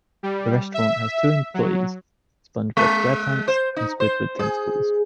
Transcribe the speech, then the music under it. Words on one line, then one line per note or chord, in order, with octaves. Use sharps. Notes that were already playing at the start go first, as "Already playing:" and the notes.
The restaurant has two employees: SpongeBob SquarePants and Squidward Tentacles.
G3
E5
F#3
G#3
C5
D#4
C5
G#4